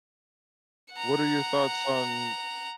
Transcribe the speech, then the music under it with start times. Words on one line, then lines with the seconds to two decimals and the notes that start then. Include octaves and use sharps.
What are your thoughts on
0.94 F#5 A#5